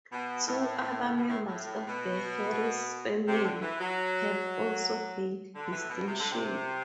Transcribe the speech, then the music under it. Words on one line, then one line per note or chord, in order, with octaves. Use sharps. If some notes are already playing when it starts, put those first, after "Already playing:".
Two other members of the Harris family have also gained distinction.
B2
A2
A2
B2
A2
A2
B2
C3
D3
E3
F#3
D3
E3
A2
B2
C3
D3
C3